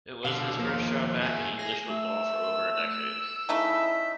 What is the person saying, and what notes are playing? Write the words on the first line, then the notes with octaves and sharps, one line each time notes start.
It was his first job back in English football for over a decade.
B2 D3 F5 E6
D#2 F3 A#3
G#4 E5
G#4 A#6
A3 E6
C#3 A3 D#4 E4 E5